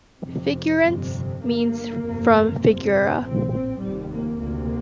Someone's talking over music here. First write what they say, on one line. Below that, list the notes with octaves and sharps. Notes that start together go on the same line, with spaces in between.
Figueirense means "from Figueira".
F1 F2 C3
G1 F2 C3
G1 G2 A#3
G1 F2 C3
G1 F2 C3 C4
A#1 A2 C4
C4
F1 D#2 G3
A#3
D2 C3 A#3